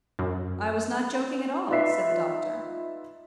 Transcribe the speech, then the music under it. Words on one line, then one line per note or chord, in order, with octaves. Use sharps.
"I was not joking at all," said the doctor.
F#2
D#4 F4 B4 D5 E5 C7